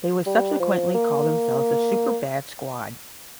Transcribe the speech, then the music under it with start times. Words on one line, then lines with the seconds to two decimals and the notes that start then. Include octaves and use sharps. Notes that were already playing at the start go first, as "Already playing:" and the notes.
They would subsequently call themselves The Superbad Squad.
0.26 G3
0.60 F3
0.94 A#3